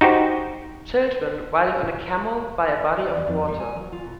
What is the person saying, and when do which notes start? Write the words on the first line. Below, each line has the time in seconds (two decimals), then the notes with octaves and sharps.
Children riding on a camel by a body of water.
0.01 D#4 F#4 G4 C5
2.99 D5
3.15 E2
3.27 F2
3.48 G3
3.60 G#5
3.76 F#3
3.92 F4
4.06 B2